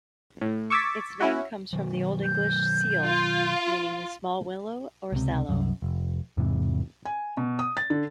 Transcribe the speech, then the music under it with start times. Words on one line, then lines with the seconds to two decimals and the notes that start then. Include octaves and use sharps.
Its name comes from the Old English "sealh" meaning a small willow or sallow.
0.41 A2
0.70 C#6 D6 E6 G#6 A6 B6
1.21 C#4 E4 F#4
1.73 B2 D#3 F#3
2.24 G6
3.04 F4
5.12 C#2 C3
5.49 C2 F#2
5.82 F1
6.37 E2 G#2 C3 E3
7.05 G#5
7.37 B2
7.59 D#6
7.77 A6
7.90 D3